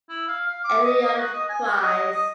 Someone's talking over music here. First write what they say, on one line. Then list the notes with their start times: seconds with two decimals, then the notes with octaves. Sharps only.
Eliot Prize.
0.09 E4
0.28 F5
0.47 F5
0.64 D6
0.84 D#5
1.00 D#5
1.18 F#4
1.33 D#5
1.49 G#5
1.68 F#4
1.82 D#5
2.13 D#5